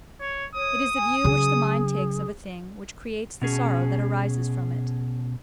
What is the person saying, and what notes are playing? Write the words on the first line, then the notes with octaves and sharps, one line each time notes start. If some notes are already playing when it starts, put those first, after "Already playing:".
It is the view which the mind takes of a thing which creates the sorrow that arises from it.
C#5
C#5 D#6
G#5
C#3 F#3 G#4
B2 C#4 G#4